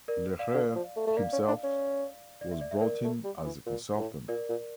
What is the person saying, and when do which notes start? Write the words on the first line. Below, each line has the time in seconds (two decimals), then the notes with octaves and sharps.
Lehrer himself was brought in as a consultant.
0.08 A#4 D5
0.39 D5 F5
0.54 D3
0.75 F3
0.96 A3
1.07 A3
1.17 A#3 D5 F5
1.33 C#4
1.48 D4
1.64 C#4
2.41 D5
2.51 E5
2.61 D5
2.71 E5
2.81 A#4 D5
3.04 A3
3.24 G3
3.45 E3
3.66 A#2
3.97 A2
4.28 A#2 A#4 D5
4.49 A#2